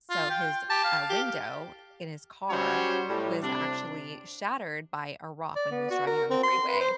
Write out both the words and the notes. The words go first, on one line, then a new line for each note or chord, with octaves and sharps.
so, his, uh, window in his car was actually shattered by a rock when he was driving on the freeway.
F4
G5
G4 A5
F5
G4
F#3 G3 C#4 F#4 C5 C#5
A2 G3
C3 D4
D5
B3
F#4
A#4
C4
C6
B4
C5